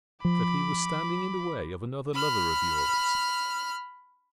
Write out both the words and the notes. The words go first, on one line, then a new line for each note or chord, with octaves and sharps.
"That he was standing in the way of another lover of yours."
F3 B5 D6
B5 F6